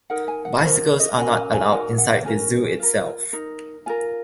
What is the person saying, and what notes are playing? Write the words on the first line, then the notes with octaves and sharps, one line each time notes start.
Bicycles are not allowed inside the zoo itself.
D#4 A#4 F#5
G#5
F#5
D#4 A#4 C5
D#5
C#4 F#4 A#4 G#5
G#5
G#5
D#4 F#4 A#4 G#5
F#5
C#4 F#4 A#4 G#5
F4 A#4
D#4 A#4
F4 A#4 G#5